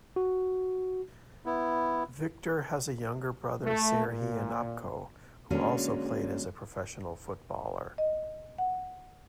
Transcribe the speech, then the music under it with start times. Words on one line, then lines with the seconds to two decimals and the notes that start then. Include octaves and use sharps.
Viktor has a younger brother Serhiy Onopko who also played as a professional footballer.
0.16 F#4
1.46 B3 E4
3.64 A3
4.07 A#2
5.50 D3 F#3 G#3 A#3 C#4 D4
7.98 D#5
8.58 F#5